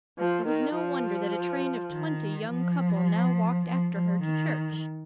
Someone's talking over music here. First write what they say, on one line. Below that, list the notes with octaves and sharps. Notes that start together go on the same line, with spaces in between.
It was no wonder that a train of twenty young couple now walked after her to church.
F3
D#3
F3
D#3
F3
F3
F3
D#3